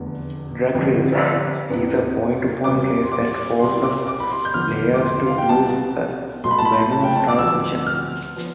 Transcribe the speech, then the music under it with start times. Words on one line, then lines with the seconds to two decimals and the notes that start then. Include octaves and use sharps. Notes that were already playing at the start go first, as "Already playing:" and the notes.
"Drag racing" is a point-to-point race that forces players to use a manual transmission.
Already playing: F1 E2 D3
0.75 F2 D3 G3 B3
1.69 E2 C3 E3 B3
2.64 E2 B2 G3 B3 D6
3.03 C6
3.12 D6
3.59 C2 B2 G3 B3 C6
3.83 D6
4.07 D6
4.20 B5
4.30 C6
4.45 G6
4.54 E1 E2 D3 F3 B3 F6
4.94 D6
5.02 C6
5.27 F5
5.38 G5
5.49 C2 B2 B3 A5
6.44 B1 B2 A3 C6
6.51 B5
6.58 A5
6.65 B5
6.92 A5
7.04 G5
7.16 A5
7.29 D6
7.39 D2 C3 F3 B3 E6
7.86 F6
8.36 F3 B3